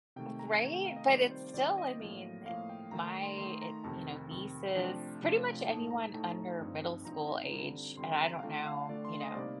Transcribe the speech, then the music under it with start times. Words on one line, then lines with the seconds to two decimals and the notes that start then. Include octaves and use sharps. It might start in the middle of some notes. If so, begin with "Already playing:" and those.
F Right? But it's still, I mean, e My it you know, nieces pretty much anyone under middle school age, and I don't know, you know,
0.16 C3 D#3 A3 G5
0.39 A#5
0.63 C3 D#3 A3
0.74 G5
0.85 F5
0.96 D#5
1.09 D#3 G3 C4 F4 D5
1.31 C5
1.54 D#3 G3 C4 F4 D5
1.78 D#5
2.01 A2 F3 A#3
2.46 A2 F3 A#3 F5
2.69 G5
2.92 D#3 A3 D#4 A#5
3.07 A#5
3.23 C6
3.38 D#3 A3 D#4 C6
3.62 A#5
3.84 F2 C3 D#3 A5
4.30 F2 C3 D#3
4.76 C3 F3 A3 D4 F4 G5
5.22 C3 F3 A3 D4 F4
5.68 A2 A3 D#4 A5
5.91 A#5
6.14 A2 A3 D#4 A5
6.60 G2 F3 C4 D#4
7.05 G2 F3 C4 D#4 A#5
7.51 D3 G3 C4 F4
7.97 D3 G3 C4 F4 C6
8.21 A#5
8.39 F5
8.43 D3 A3 D4 F4 G5
8.66 F5
8.89 D3 A3 D4 F4 D5
9.05 C6
9.20 D#5
9.31 C5
9.35 C3 G3 A#3 D#4 D5